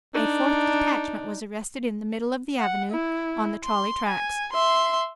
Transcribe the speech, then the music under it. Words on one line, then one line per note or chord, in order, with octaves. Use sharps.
A fourth detachment was arrested in the middle of the Avenue on the trolley tracks.
D4 D#4
F#5
E4
C6
G#5
E5 C6